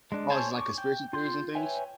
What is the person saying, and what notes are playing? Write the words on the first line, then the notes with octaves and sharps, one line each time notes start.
Oh, it's, like, conspiracy theories and things?
G#3 D4
G#4 C5 C#5 G#5 A5
C#6 D6
G5
F4 C6 G6
B4 C#5 E5 G5 G#5